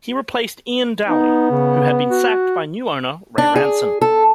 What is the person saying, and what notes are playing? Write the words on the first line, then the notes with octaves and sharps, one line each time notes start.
He replaced Iain Dowie, who had been sacked by new owner Ray Ranson.
B3 D#4
C#3
F#4
D4
G#4
A4